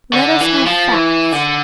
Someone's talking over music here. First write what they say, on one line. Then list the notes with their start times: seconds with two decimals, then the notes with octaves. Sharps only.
Let us have facts.
0.13 D3
0.40 E3
0.66 F3
0.92 E3
1.32 D3